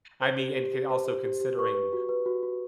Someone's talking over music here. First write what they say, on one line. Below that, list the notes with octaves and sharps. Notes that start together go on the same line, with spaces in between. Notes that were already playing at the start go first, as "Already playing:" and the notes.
I mean and can also considering
C5
G4
G4
G4
C5
G4
G4
G4
B4 C#6
B4
F#4
B4
F#4
F#4